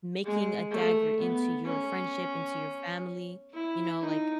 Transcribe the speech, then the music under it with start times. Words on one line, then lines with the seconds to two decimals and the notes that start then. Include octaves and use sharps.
making a dagger into your friendship, into your family, you know, like
0.25 G#3
0.71 A3
1.19 B3
1.65 C#4
3.54 E4
4.01 D#4